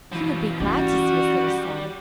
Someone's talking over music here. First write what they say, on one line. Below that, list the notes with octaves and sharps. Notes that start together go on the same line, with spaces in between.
He would be glad to see his little son.
F#2 B2 E3 F3
G3 C#4 F#4